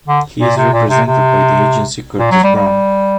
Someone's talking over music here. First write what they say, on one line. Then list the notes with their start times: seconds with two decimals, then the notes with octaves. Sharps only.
He is represented by the agency Curtis Brown.
0.08 D3
0.41 A#2
0.57 C3
0.73 A#2
0.90 C3
1.06 C3
2.19 A#2
2.31 F#3
2.44 G3
2.56 G3